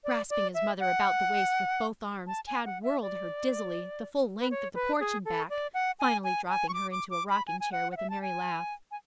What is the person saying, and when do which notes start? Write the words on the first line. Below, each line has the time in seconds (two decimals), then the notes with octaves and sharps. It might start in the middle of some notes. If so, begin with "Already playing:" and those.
Grasping his mother about the waist with both arms, Tad whirled her dizzily, the full length of the porch and back, finally dropping her into a rocking chair with a merry laugh.
0.04 D5
0.30 D5
0.55 E5
0.80 F#5
2.27 A5
2.47 G#5
2.65 F#5
2.83 E5
3.02 D5
4.40 B4
4.51 C#5
4.75 B4
5.00 G#4
5.25 A4
5.50 D5
5.74 F#5
6.00 G#5
6.24 G#5
6.49 G#5
6.69 C#6
6.74 D6
6.91 D6
7.10 D6
7.29 B5
7.47 G#5
7.60 G#5
7.72 F#5
7.92 F#5
7.97 E5
8.10 A5
8.22 G#5
8.91 G#5